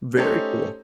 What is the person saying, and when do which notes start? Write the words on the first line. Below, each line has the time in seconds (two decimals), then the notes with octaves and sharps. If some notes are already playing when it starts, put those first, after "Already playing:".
Very cool.
0.16 A3 C#4 D#4 G4 A4 C5